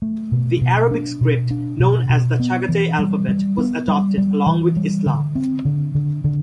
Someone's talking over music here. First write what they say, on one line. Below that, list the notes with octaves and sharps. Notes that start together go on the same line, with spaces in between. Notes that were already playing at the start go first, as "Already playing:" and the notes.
The Arabic script, known as the Chagatay alphabet, was adopted along with Islam.
A3
B2
B2
D4
B2
D4
B2
B2
B3
E3
G3
G3
B3
G3
G3
E3
G3
D3
C4
D3
D3
D3